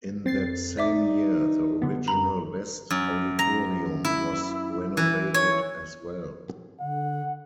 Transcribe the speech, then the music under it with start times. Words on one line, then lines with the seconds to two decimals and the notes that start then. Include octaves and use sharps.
In that same year, the original west auditorium was renovated as well.
0.26 F2 C4 A6 C7
0.77 D#4 D5 E5 D6
1.82 D3 B3
2.08 F#2 A#5 B5
2.91 F#2
3.39 A#5
4.05 E4
4.97 E3
5.34 C#5
6.80 D3 F#5